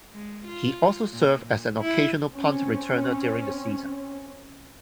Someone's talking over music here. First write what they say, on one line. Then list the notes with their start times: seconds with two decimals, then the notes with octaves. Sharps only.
He also served as an occasional punt returner during the season.
0.13 G#3
0.47 F4
1.13 A#2
1.44 A#2
1.79 E4
2.32 C4 C#4